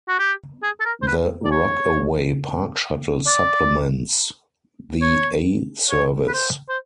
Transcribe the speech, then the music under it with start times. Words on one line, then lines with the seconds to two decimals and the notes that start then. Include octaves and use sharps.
The Rockaway Park Shuttle supplements the A service.
0.08 F#4
0.19 G4
0.63 G#4
0.80 A4
0.85 A#4
1.02 C5
1.07 B4
1.45 D5
1.51 C#5
3.27 D5
5.02 C#5
5.90 C#5
6.28 B4
6.34 C5
6.69 C5